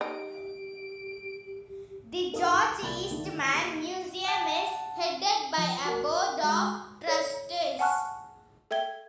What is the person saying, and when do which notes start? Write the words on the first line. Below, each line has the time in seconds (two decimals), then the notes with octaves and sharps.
The George Eastman Museum is headed by a board of trustees.
0.01 D#4 G4 D7
2.32 D#4 G4 A4 A#4 F5 D#6
2.82 C2 D5 B5 A6
3.10 D3 D#3 A3 B3 D4
3.53 A#3 G4 D7
4.25 F#5 A5
5.58 F3
5.85 F#4 A#4
6.43 G#3 F#4
7.07 A4 C#5 D5
7.79 F#5 G#5 A5 C#6 F6 F#6
8.71 A4 E5 G5 G#6 G7